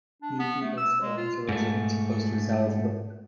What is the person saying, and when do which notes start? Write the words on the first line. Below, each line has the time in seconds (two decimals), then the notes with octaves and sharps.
Muti also owns a residence close to Salzburg.
0.22 D4
0.40 B3
0.62 A3
0.77 E6
1.01 G#3
1.17 F4
1.49 G#2 A3